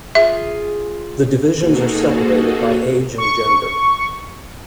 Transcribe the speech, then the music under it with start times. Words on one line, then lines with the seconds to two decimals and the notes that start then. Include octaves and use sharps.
The divisions are separated by age and gender.
0.15 F4 G#4 E5
1.54 A#3 D#4 F#4 G#4 A4
3.18 C#6